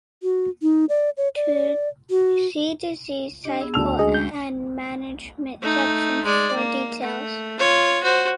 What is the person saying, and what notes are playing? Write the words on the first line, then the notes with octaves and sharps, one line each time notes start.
See disease cycle and management sections for details.
F#4
D#4
D5
C#5
D5
F#4
D4 G4 D#5
B3 G#4 E6
D2 D5 A5 E6 F7
G#3 C#4 D4 G#4 D#5
G6
A3 D#4
G#3 D5
A#3
A3
F4 C#5
F#4 C5